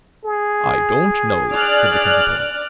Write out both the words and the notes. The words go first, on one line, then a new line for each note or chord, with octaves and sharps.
'I DON'T know,' said the Caterpillar.
G#4
D5 F6 F#6